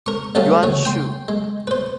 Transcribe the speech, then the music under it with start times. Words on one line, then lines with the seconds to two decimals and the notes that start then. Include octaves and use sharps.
Yuan Shu.
0.06 A#4 C#6
0.35 D2 D3 G3 A3 C#4 F5
0.63 D2 C#3 E3 C#5
0.85 G5 C6
1.28 G#3
1.67 B4 C5